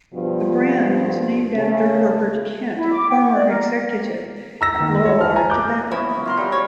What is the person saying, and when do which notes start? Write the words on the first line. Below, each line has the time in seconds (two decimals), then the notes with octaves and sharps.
The brand is named after Herbert Kent, a former executive at Lorillard Tobacco Company.
0.14 G2 B2 F3
1.55 C#3 A3
2.77 E4
2.91 D6
3.09 G5
3.21 C#6
3.32 D5
3.49 A#4
4.61 A#5 E6 A#6
4.79 D#3 A#3
5.05 F#4 C#5
5.18 A5 F6
5.36 G#5 A#5
5.50 D6 F#6 G6
5.91 B3 C#4 E4 D#6
6.26 F4 A#4 C6
6.37 F#3 G3
6.52 C#5